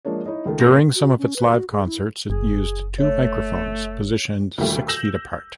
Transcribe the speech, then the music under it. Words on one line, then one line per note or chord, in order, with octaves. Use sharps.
During some of its live concerts, it used two microphones positioned six feet apart.
F3 G#3 A#3 D4 C#5
D#4 E4 C#5 D#5
C#2 D#3 A3
F#2 A#2 A4 A#4 C6 A#6
F#4
C#4
B4
F#4
G#4
E4
F#1 G#4
A3 C#5
D2 A#2 D#3 G3 A3
E6 G6 A#6 E7 F#7